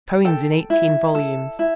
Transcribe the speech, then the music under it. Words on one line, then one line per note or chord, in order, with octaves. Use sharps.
Poems in eighteen volumes.
A4 G5
E4
A4
E4